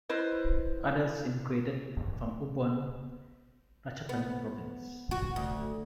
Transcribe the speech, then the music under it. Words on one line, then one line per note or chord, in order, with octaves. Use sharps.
Others immigrated from Ubon Ratchathani Province.
E4 B4 C5 D#5
B3
F#4
D2